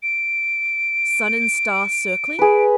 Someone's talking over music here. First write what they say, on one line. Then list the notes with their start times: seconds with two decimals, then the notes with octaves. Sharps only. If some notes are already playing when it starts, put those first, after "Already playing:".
Sun-and-star circling.
0.03 D7
2.39 G#4 B4